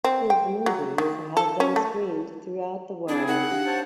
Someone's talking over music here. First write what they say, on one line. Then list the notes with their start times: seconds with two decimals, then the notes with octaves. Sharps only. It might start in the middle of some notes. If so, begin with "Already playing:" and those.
His movies have been screened throughout the world.
0.04 C4
0.30 G5
0.66 F#3
0.98 D#3
1.37 A4
1.60 C#4
1.76 A3
3.08 C4 D4 E4 G#4
3.28 D#4 A#4 F#5
3.51 D4 G4 F5
3.66 C5 C#5 A5